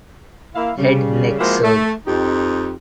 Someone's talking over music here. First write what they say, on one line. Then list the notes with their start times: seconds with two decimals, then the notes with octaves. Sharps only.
Head Neck Surg.
0.55 A#3 E4 F5
0.77 C#3 G3
1.39 F3 G#3 A#3 E4 F#4 C5
1.63 A3
2.07 F2 D#4 G4